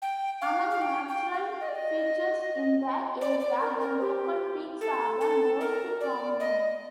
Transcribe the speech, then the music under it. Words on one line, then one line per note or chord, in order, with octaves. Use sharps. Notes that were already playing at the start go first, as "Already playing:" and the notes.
Among natural features in the area, the local peaks are the most prominent.
G5
F5
F5
G5
G5
F5
D#5
D5
D#5
D5
D5
A#4
A#4
G4
A4
A4
A#4
D5
D#5